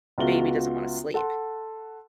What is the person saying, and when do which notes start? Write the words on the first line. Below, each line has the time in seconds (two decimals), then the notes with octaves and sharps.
baby doesn't wanna sleep,
0.18 C#2 B3 F4 F#4 E5 G7
1.14 A4 F#5 C6